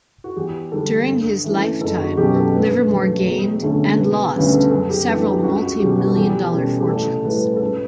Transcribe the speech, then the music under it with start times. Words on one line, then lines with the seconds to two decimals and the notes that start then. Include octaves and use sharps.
During his lifetime, Livermore gained and lost several multimillion-dollar fortunes.
0.24 F#4
0.36 E2 G4
0.72 D3 G3 D4 A4
1.08 G2
1.44 E3 A3 C#4
1.81 F#1 A4
1.99 F#4
2.17 E2 B2 F#3 C#4 G4
2.35 A4
2.53 G2 B4
2.89 F#3 A3
3.26 E1
3.63 D2 D3 A3 C#4
3.98 E1 B4
4.35 D2 C#3 G3 C#4 B4
4.53 A4
4.71 F#2 A4
4.90 G4
5.07 E3 G3 B3 D4 A4
5.26 G4
5.43 C#2 F#4
5.61 F#4
5.80 B2 G3 C#4 G4
5.99 F#4
6.07 A4
6.16 E2 G4
6.53 B2 G3 C#4 A4
6.80 G4
6.88 A1 A4
7.25 A2 G3 B4
7.56 A4
7.62 C#2 B4